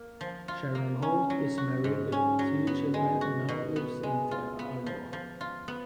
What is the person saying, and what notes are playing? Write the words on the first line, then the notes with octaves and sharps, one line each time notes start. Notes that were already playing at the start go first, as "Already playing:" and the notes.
Sharon Holt is married with two children and now lives in Te Aroha.
Already playing: A#3
F3
F4
A#3
C#4
F#3
F#4
G#2
C#4
F#3
B3
G#3
F#4
B2
B3
G#3
F4
B3
F3
F3
F4
B3